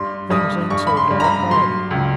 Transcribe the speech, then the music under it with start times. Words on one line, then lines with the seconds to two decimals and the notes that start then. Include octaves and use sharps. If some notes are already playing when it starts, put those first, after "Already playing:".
Things ain't so dark, are they?
Already playing: G2 C6
0.30 G2 D#6
0.70 G2 C#6
0.87 B5
0.97 C6
1.11 G2
1.20 A#5
1.24 B5
1.50 F#3 C6
1.91 C#2